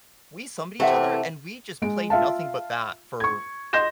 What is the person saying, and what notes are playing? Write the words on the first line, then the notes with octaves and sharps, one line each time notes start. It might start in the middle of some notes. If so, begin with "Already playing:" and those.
we summoned each other, and we just played nothing but that, for
C3 E3 A3 E5 F#5 G5
G#3 D7
F4 E5 F5 A5
C#6 G#6
D#5 C6 G6 A#6 E7